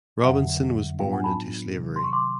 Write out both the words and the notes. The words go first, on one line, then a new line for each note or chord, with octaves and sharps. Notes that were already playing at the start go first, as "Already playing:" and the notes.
Robinson was born into slavery.
F2 D3 F#3 E5 F#5
A2 F#3 B3 D4 F4 F5 G5
F#5 G#5
A5 B5
C3 D#3 F#3
C6
C#6
C6 D6